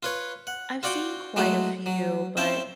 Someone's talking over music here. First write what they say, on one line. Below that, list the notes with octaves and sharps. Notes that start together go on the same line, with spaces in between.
I've seen quite a few, but,
F4 B4 C#5
F#5
F4 F#4 D5 F#5 G5
F#3 G#3 A3 E4 F#4
F#3
C4 C#4 E4 E5 G5 A5